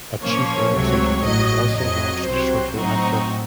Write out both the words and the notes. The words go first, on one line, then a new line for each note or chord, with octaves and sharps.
A cheaper Executive was also launched shortly after.
A#2 F3 A#3 C#4 C#5
C#2 C3 F#3 A3 C#5
A1 A2 F#3 D#5
F2 C#3 F#3 D#5
C2 C3 F#3 C4 C5
A2 F#3 C4 D#4 F#4